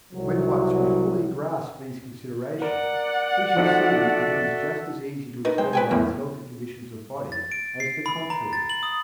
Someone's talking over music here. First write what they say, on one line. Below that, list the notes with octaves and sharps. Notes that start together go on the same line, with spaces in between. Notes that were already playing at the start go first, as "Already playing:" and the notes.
When once we fully grasp these considerations we shall see that it is just as easy to externalize healthy conditions of body as the contrary.
C2 C3 F#3
A#4 D5 F#5
F3 C4 D#4 F#4 A4 E5
D#4 A#4 B4
G#3 C5 G5
B4 G5 G#5
E2 A2 A#3
A6
D7
C7
B5
A#5
A6
F#7
D#6